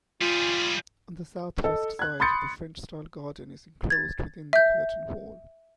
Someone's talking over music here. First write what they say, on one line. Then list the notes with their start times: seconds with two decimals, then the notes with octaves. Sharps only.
On the southwest side, the French-style garden is enclosed within the curtain wall.
0.21 G3 F4 G#4
1.64 A4 D#5
1.99 F#6 G#6
2.20 B5 C6 D#6 G6 A6 C#7
3.90 G#6 A6
4.53 E5 G6